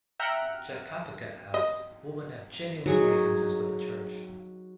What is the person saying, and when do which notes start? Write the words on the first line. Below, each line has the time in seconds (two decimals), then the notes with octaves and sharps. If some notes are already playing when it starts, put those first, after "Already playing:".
Jack Kapica adds Women have genuine grievances with the Church.
0.19 E5 F#5 G5 A#5 F6 F#6
1.54 D#5
2.86 F#3 D#4 G#4 C#6